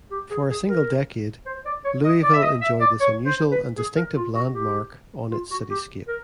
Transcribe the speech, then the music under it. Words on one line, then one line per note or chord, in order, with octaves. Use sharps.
For a single decade Louisville enjoyed this unusual and distinctive landmark on its cityscape.
G4
G#4
G#4
A#4
C5
D5
C#5
D#5
D5
E5
D#5
E5
D5
C#5
C5
B4
G#4
A#4
F4
F#4
G4
F4
F#4
G4
A#4